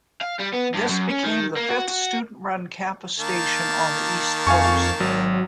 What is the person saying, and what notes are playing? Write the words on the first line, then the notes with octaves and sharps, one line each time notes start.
This became the fifth student-run campus station on the east coast.
F5
G3
B3
G2
F#2
C#4
D#3
A#3
F#4
F#4
D#3 A#3 A5
F2 F5 G#5 C#6
G#1 F#3